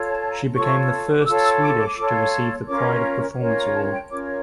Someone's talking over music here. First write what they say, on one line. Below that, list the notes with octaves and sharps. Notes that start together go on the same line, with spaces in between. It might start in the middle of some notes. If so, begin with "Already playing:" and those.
She became the first Swedish to receive the Pride of Performance award.
Already playing: F4 A4 C#5
A5
A5
A#5
F4 A4 C#5 C#6
D6
F4 A4 C#5 E6
E6
D6
D6
F4 A4 C#5
C#4 F4 A#4 C#5 D6
C#4 F4 A#4 C#5
A#5
A5
G5
C#4 F4 A#4 C#5 D6